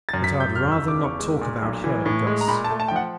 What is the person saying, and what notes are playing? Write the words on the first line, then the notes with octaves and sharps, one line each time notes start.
But I'd rather not talk about her, Guss.
A6
F#2
B6
F#2
G6
E1 F6
E6
C#3
D6
E2
C#6
G#3
A#2
B1
E3
A2
G#3
A#5
A#2 B5
A5
A3
A5
G5
F3 F#5